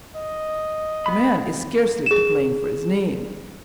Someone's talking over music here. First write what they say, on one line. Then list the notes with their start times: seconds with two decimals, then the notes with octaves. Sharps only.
The man is scarcely to blame for his name.'
0.15 D#5
1.06 B3 B5
2.06 G#4 E7